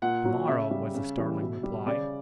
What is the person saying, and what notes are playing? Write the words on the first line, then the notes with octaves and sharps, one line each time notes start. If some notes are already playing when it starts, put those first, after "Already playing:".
"To-morrow," was the startling reply.
A#2 F#5
F#3
C#3 E5
G3
C#3
E3 G3
B2
G3
C#3 D5